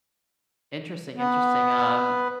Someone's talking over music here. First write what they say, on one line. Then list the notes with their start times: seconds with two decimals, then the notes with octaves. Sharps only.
Interesting, interesting, um,
1.18 B3